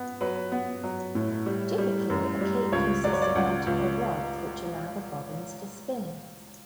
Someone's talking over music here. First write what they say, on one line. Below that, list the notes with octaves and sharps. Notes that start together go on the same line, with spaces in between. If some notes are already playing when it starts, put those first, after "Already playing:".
Typically, a kate consists of multiple rods, which allow the bobbins to spin.
Already playing: B3
F#3 B4
B3
F#3
A2
G3
G3
F#2
G3
C#2 C#5
F#3 D5
C#5
D5
C#2 F#5
C#2